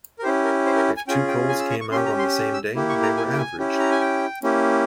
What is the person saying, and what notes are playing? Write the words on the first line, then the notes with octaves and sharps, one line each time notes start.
If two polls came out on the same day, they were averaged.
A#4
C#4 E4 G4 C5
A#4
C5
A#4
G#5
C#4 F4 G#4 G5
G5
G#5
E6
C#6
C#6
C#4 G4 C6
A#5
C6
E6
A#3 E4 G4
C#6
A#5
G#5
G5
G#5
C#4 E4 G4
A#5
G#5
G5
A#3 C#4 E4 G4